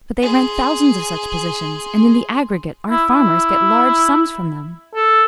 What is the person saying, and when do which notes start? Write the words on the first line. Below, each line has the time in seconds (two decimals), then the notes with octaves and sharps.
"But they rent thousands of such positions, and in the aggregate our farmers get large sums from them."
0.22 G#4 C6
2.90 E4
3.10 E4
4.95 A4